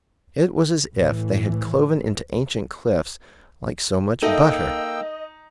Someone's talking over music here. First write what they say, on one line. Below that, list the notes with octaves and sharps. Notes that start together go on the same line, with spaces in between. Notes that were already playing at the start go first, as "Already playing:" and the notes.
It was as if they had cloven into ancient cliffs like so much butter.
A2 E3
A#3 D#4 A4 D#5 E5 G5 E6